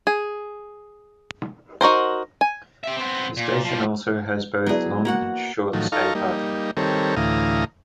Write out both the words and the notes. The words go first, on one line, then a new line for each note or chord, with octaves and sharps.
The station also has both long and short stay parking.
G#4
D#4 F#4 A#4 C5
G#5
G4 E5
B3 C4
A#2
F3 G3
F#3 B3 E4 G#4 D5
A#3 F#4 F#5
A2 D#3 F3 F#3
D#4 F4 A4 F5 A#5 C#6
G3 A#3 D#4
D#3 G3 C4 A4 A#4 C#5
D2 A2 E3 F5 A#5 D#6